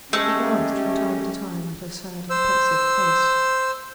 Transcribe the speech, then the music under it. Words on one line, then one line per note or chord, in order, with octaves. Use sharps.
He glanced from time to time at her sad and pensive face.
G#3 A3 C#4 G4
C5 E6